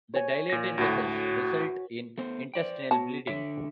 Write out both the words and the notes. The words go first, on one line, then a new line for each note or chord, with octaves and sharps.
The dilated vessels result in intestinal bleeding.
C#5 G#5
A#2 A#6
D2 A2 F#4
A3 B3 C5
C5 D5 G5
B3 F#4 C#5 A5
D3 C#5 E5